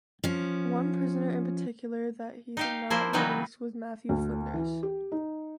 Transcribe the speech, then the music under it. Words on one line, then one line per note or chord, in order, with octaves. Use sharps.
One prisoner in particular that he did not release was Matthew Flinders.
F3 C#4
D#4 G4 F5
F3 A#3 E4 C5
C#3 E3 F#3 G3 D#4 B4
D2
E3
G4
D#4